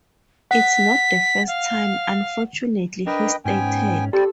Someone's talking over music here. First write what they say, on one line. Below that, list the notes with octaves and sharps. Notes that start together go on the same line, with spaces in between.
"It's not the first time, unfortunately," he stated.
F#5 B6
F5
D4 A#4 B4 D#5 G5
G#2 B3 C#4 G5 G#5
G3 C4 G4 A4 D5